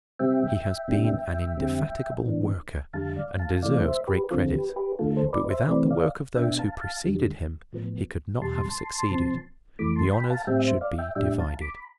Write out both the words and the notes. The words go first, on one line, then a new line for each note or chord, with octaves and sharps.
He has been an indefatigable worker and deserves great credit; but without the work of those who preceded him he could not have succeeded: the honors should be divided.
C3 G3 C4 E5 G5
D2 C3 G3 B3 D4
F2 D3 G3 C4
A2 E3 B3 D4
F2 D3 G3 F5 A5
D5 F5
F5 A5
C3 E3 A3 D5 F5
C5 E5
G4 B4
D2 D3 F3 C4 F4 A4
G4 B4
G4 B4
D2 D3 A3 F4 A4
A4 C5
B4 D5
C5 E5
C3 E3 A3 C4 B4 D5
D5 F5
B2 B3 D4 E5 G5
F5 A5
F5 A5
F2 D3 G3
A2 F3 B3
E2 B2 G3 A5 C6
C3 F3 C4
F2 E3 A3 B5 D6
A5 C6
G5 B5
F5 A5
A2 G3 C4 E5 G5
C5 E5
D5 F5
E5 G5
A2 G3 D4 E5 G5
F5 A5
B5 D6
B5